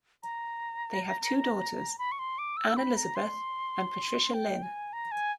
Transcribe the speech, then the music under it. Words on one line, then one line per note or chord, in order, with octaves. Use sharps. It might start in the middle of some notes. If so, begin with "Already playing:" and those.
They have two daughters, Anne Elizabeth and Patricia Lynn.
A#5
B5
C#6
C6
D6
E6
B5
A#5
C6
G5
G#5
A#5
G#5